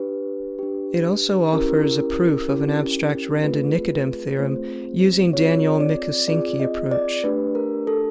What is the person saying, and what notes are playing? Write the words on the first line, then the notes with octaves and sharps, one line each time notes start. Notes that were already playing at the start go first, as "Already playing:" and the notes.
It also offers a proof of an abstract Radon-Nikodym theorem using Daniell-Mikusinski approach.
Already playing: D4 G4 B4
D4 G4
C#4 E4 G4 A#4
C#4 E4 G4
A3 C4 F4 G#4 B4
A3 C4 F4 G#4 C5
C4 F4 G#4 C#5
D5
C4 F4 G#4 D5
D#5
D5
A3 D4 G4 B4
A#4
A4